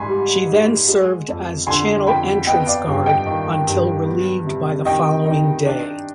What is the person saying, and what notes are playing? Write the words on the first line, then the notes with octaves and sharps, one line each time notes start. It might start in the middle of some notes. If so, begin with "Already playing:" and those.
She then served as channel entrance guard until relieved by the following day.
Already playing: G#2 G#5 B5 C6
G3
D#4
G#3
F2
D3 G#5 C6
F2 G5 B5
B3 D#5 G5
D5 F5
G2
D#5 G5
D#3
G2
B3
C3
D#3 D#5 G5
D#4
D4